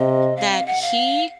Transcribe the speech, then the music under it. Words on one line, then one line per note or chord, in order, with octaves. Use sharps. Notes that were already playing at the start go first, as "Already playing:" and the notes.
that he,
Already playing: C3 D#5
F5
F5
F#5
F5